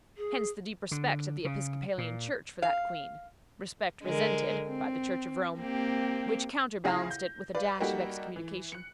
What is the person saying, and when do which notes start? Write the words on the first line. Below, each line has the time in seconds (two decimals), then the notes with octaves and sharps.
Hence the deep respect of the Episcopalian Church for that queen--respect resented by the Church of Rome, which counterbalanced it with a dash of excommunication.
0.17 G#4
0.91 D3
1.45 C#3
1.98 A#2
2.62 F5
4.03 D3 G#3 A#4
4.68 C4
5.59 A#3 C4 G4
6.84 D2 C#3 E4 G#4 F5 A#6
7.11 G6
7.55 B4 D5 F5
7.80 G3 A#3 D#4 F#4 G4 A4
8.36 E3
8.72 F#6 C#7